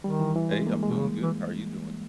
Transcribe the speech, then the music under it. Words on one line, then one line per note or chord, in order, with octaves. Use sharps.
Hey, I'm doing good. How are you doing?
D#3 G3
E3
E3
G#3
A#3
G#3
B2
C#3
E3